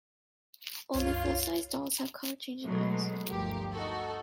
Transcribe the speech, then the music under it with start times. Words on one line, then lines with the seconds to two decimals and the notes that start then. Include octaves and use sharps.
Only full-sized dolls have color-changing eyes.
0.94 C2 F#2 F4 C#5
2.64 B2 F#3 G#3 A3
3.29 G1 D2 G2 F3 G4 A#4
3.72 D#4 F#4 A4